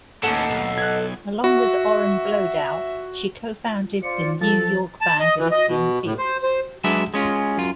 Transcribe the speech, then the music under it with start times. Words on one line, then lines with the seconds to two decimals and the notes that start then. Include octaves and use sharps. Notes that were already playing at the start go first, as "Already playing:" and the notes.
Along with Oren Bloedow, she co-founded the New York band Elysian Fields.
0.23 D#2 A2 A3 C#4 A4 D#5 F#5 E7
0.50 B1
0.78 F#6 G#6
1.44 F#4 E5
4.03 F4 C5 D5 C#7
4.41 F3 A4 A6
5.01 A5
5.20 D#5
5.39 E3
5.52 D#5
5.68 B2
6.04 A2
6.18 C5
6.43 C5
6.84 F#3 G#3 D4 B4 E5
7.14 G#3 C#4 F4
7.57 F#2 F4